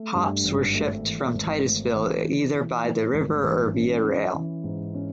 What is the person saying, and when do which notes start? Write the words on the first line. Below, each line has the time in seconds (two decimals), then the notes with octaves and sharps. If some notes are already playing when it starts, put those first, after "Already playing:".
Hops were shipped from Titusville either by the river or via rail.
Already playing: A3
0.14 G2
0.44 G#1
0.75 A3
1.04 E3
1.34 G#1
1.65 A3
1.94 E3
2.24 E3
2.55 E3
2.84 A3
3.14 G#1
3.44 E3
3.74 C#4
4.03 C#4
4.35 E3
4.64 G#2
4.94 C#4